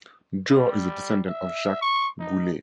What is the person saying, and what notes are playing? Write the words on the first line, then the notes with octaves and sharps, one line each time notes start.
Joe is a descendant of Jacques Goulet.
G3
E5
C#6
D#4